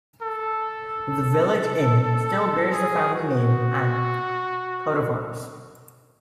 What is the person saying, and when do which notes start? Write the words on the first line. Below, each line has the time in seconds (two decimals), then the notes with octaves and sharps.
The village inn still bears the family name and coat of arms.
0.22 A4
2.72 G#4
3.14 F#4